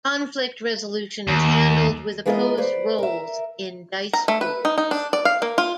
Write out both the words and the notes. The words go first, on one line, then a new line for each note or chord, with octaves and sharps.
Conflict resolution is handled with opposed rolls in dice pools.
D#2
E3 G#3 B3 F4 A#4 D#5
B4 C5 D5
A#4 E5
A#5
A3
B4
D#4
D#4
D4
D5
F5
A#3
F4